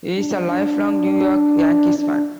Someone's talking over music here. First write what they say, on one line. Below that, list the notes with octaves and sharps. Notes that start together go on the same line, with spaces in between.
He is a lifelong New York Yankees fan.
D4
D4
D4